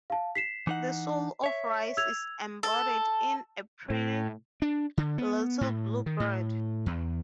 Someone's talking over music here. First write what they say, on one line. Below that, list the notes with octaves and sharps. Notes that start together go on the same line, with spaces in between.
The soul of rice is embodied in a pretty little blue bird.
F5 A5
B6 C7 E7
E3 D#4 F#5
C#5 E5
E6 G#6 F7
A4
A2
D4
D3
B3
A2
D#3
A2
E2